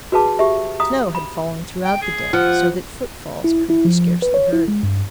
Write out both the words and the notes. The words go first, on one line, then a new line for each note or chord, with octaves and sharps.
Snow had fallen throughout the day, so that footfalls could be scarcely heard.
F#4 G#4 B4 F5 A5 D6
G4 E5
F5 A#5 D#6
B5
G5
G#4
F3 F#5
E4
E4
F3
B4
C#5
E4
G#3
G2